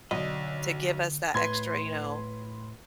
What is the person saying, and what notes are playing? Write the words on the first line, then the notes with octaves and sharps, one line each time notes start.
to give us that extra, you know,
B1 D3 D#5
A2 B4 C6 G#6